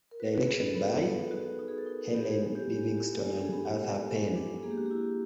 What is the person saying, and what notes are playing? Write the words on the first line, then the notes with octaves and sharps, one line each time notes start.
Direction by: Helen Livingston and Arthur Penn.
A#4
F#4 B4
F#4
B3 G#4
A4
B3 A4
G#4
D#4 A4
F#4
D#4
G#4
A4
D#4 A#4
B3 G4
G#4
G#3 A4
G4
G#3
F#4
B3 F#4
G#3
A#4
A4
G#4
B3 G4
G#3
G#3
D4
A#3 G#4
G4
F#4
E4 G4